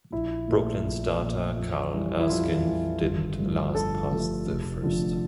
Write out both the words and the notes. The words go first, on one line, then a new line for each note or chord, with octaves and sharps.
Brooklyn starter Carl Erskine didn't last past the first.
A#1 E4
A#2 A3
A#1
A#2 A3
F2
E3 G3
E4
F2 F4
E3 G3
G1
G2 F3 A3
G1 A4
G2 F3 A3
F1
F2 D3 F3 A3